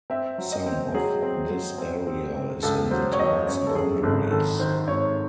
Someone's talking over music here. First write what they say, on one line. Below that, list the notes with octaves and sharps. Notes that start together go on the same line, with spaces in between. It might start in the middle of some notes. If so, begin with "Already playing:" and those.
Some of this area is in the town's boundaries.
C4 E5
F#3
D#5
C4
F#3 G#4
C4
F#3
C4
C4
C4
C#2 A4
F#3 C5
C#5
F#3 D#5
F#2 C#5
A4
F#2 G#4
G#1 A4
D#3 A4
D#3 C5
G#1 C#5